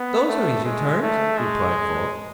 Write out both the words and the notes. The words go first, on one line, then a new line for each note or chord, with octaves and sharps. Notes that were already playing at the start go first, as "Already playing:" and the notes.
"Those are easy terms," replied Falk.
Already playing: B3
A3
G#3
A3
G#3